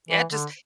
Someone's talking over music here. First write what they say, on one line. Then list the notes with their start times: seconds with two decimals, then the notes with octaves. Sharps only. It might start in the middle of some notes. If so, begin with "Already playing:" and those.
Yeah, it just
0.09 E3
0.31 D3